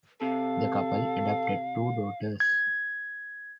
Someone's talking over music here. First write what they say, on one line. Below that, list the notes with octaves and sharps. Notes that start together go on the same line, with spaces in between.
The couple adopted two daughters.
C3 A4 F5
G#6